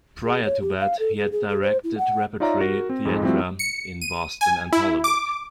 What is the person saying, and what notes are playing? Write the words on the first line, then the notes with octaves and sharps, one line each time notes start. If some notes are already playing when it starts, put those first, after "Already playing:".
Prior to that, he had directed repertory theatera in Boston and Hollywood.
G#4
C#5
G4
F5
A4
G#4
G#4
G#4
C5
E4
F#5
D#4 F4 C#5 D5 E5 A#5
F#4 A#4 A#6
C4
F2 G#2 G#3
F3 G3 A3 C4 E4 F#4
C#7
D#7
G#5
E4
D6